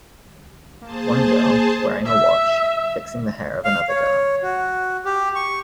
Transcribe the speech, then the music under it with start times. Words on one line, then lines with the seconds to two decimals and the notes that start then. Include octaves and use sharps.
One girl, wearing a watch, fixing the hair of another girl.
0.82 A#3 G#4 C5 A5
2.06 E5
3.65 F5
3.89 C#5
4.43 F#4
5.05 G4
5.35 C#6